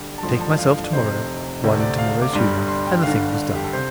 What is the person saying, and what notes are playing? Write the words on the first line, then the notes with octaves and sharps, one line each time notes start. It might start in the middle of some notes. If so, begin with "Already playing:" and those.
Take myself to-morrow while in to-morrow's humour, and the thing was done.
Already playing: D3 G3
A5
A1 G2 D3 F3 A3 C6
A5
F5
D5
F1 F2 C3 C5
D2 C3 A3 C4 D5
D5
F5
D6
G1 G2 G3 C6
C6
G5
G1 G2 D3 F5
G4
A4
C3 C5